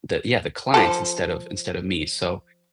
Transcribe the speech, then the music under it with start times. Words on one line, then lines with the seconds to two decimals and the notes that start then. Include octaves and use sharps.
the yeah, the clients instead of instead of me, so
0.74 F3 A4